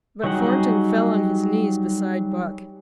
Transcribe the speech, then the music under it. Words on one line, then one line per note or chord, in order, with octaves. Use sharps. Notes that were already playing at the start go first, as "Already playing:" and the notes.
But Thornton fell on his knees beside Buck.
F#3 G3 D#4 G#4 F#5